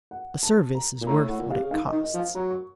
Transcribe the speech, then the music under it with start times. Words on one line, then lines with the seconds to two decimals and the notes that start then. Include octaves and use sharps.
A service is worth what it costs.
0.11 F#5
0.43 A5
0.75 A#5
1.01 A#2
1.07 A2 A#5
1.28 A2 F#5
1.39 A#2
1.49 C3 F5
1.61 C#3
1.71 D#3 F5
1.87 D#5
1.92 D#3
2.04 D#5
2.14 F3
2.19 F5
2.35 F#3 A#5
2.51 C#6